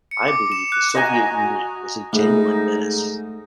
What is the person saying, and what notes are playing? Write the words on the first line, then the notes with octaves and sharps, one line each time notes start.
I believed the Soviet Union was a genuine menace.
C#7
D6
E7
F#6
F#4 D#5 G#5 A#5
G#2 A3 D#4